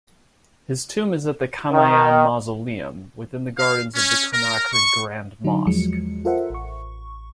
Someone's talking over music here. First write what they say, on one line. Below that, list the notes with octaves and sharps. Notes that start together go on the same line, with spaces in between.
His tomb is at the Camayanne Mausoleum, within the gardens of Conakry Grand Mosque.
D#3
F5
C#4
A#4
C#6
D3 F#3 D#4
E2 F3 F#3 G#3 C#7
F4 A4 A#4 C5 E5 F#5
A1 C#6